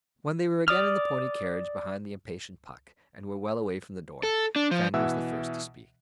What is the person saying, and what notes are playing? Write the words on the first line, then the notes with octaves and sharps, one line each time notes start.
When they were again in the pony-carriage, behind the impatient Puck, and were well away from the door, Fanny was the first to speak.
D5 D#6 F6
A4
D4
F3
B2 E3 E5 F#5 E6